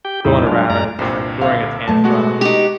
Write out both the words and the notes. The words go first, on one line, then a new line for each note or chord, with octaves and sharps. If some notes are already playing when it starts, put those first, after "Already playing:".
going around and just, like, throwing a tantrum,
G4 G5
E2 A2 G3 D#4 E4
F#3 G#3 D4 F4
F#2 G#3 D5 A#5
C2 G2 A#2 C5 G5
D3 F5
B2 A3 A5
G#3 B3 F#4
D#4 G4